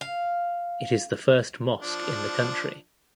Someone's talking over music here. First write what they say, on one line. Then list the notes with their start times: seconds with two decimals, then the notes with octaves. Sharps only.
It is the first mosque in the country.
0.01 F5
1.82 F3 D4